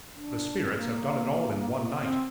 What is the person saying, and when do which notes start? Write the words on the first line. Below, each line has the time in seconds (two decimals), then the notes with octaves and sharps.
The Spirits have done it all in one night.
0.13 D4
0.63 C4
0.76 A#3
2.00 C4